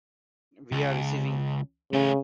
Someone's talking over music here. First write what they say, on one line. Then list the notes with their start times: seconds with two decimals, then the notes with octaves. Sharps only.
We are receiving.
0.72 C#2
1.93 C#3 A3 C#4